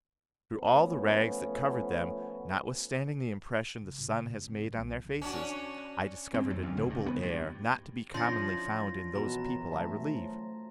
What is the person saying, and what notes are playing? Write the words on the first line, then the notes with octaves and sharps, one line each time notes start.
Through all the rags that covered them, notwithstanding the impression the sun has made on their faces, I discovered a noble air, not to be commonly found in those people I relieve.
F3 A3 B3 C#4
C#3
A#2
F#2 E4
G#1 A#2
G2
B1 F3
C#4 D4 F#4
C4
F#2
D2
C#2
G2
B3
G2
F3 C#4 D4 E4 F4 C6 A6 A#6
F#2 B2 E3 A#5
A3 E5 A5
F#3 F4 C5